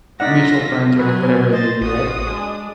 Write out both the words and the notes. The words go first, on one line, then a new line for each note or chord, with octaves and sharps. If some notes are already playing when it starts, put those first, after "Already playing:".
mutual friends or like whatever it may be, right?
F#3 D#4 F4 A4 D5 F#5 A#6 B6
F#3 C4 B4 G#5
C5 D#5 A6
A1 F4 F#4 D#6
G#3 D4